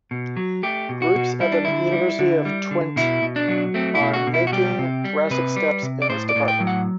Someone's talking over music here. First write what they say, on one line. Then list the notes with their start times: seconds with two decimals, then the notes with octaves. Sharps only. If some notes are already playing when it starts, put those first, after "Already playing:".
Groups at the University of Twente are making drastic steps in this department.
0.11 B2
0.37 F#3
0.63 A3 G4
0.89 B2
1.02 F#4
1.15 B2
1.40 G3 E4
1.52 D4
1.65 D3 E4
1.92 G3
2.19 D3
2.45 G3
2.71 D3
2.96 B2 E4
3.22 B2
3.36 D4
3.48 F#3
3.74 A3 C4
3.95 E4
4.01 B2
4.14 F#4
4.27 B2
4.34 E4
4.47 F#4
4.53 G3 G4
4.79 C3
5.04 G3
5.30 C3 B4
5.56 G3
5.83 C3
6.02 D5
6.09 A2 C5
6.29 D5
6.35 A2
6.48 G5
6.60 F#3
6.67 F#5